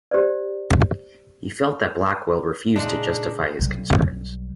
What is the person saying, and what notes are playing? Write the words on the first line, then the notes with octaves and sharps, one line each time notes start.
He felt that Blackwell refused to justify his concerns.
G4 C5 D5
A#2 C#3 G#3 D4 D#4
B1 G3